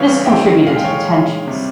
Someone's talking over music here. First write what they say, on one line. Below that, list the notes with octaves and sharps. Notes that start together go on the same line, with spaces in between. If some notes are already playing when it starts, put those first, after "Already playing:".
This contributed to the tensions.
Already playing: C#3 E3 G3 C#5 F5
E5 G5
A#2 G#3 F5
G5
C#5 F5
C3
G3